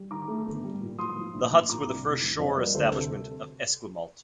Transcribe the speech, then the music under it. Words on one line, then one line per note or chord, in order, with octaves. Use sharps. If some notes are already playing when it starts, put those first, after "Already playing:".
The huts were the first shore establishment at Esquimalt.
Already playing: G3
D#3 A#5 D6
A3
G1
G3
A#2
F3 C6 D#6
F3
A#1
A#1
A#2 A#5 D6
C2
F1
F1
F2 C5 D#5
G3 A#4 D5
D2 A4 C5
C3 A4